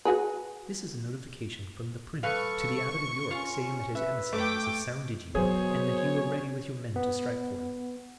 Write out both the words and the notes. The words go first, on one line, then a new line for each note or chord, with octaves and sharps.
"This is a notification from the Prince to the Abbot of York saying that his emissaries have sounded you and that you are ready with your men to strike for him."
F#4 G#4 B4
G3 A4 B4 F5 C#6
C#4 F4
B4 E5
A3 G5 D6
B2 F#3 G#4 C5 C#5
B3